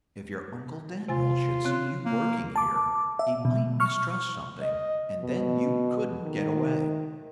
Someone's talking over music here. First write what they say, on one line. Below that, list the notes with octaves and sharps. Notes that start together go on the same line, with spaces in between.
"If your uncle Daniel should see you working here, he might mistrust something, and then you couldn't get away."
C3 F4 G#5 A6
C#3 C4 F#6
A#3
A5 D6
E5
B2
C#6 F6
D#5
B2
D#3